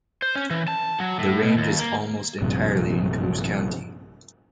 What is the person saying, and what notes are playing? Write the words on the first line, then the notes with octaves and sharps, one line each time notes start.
The range is almost entirely in Coos County.
C5
C#4
E3
A5
F#3
A2
B2
D#2
A#3
A#1 G2 C3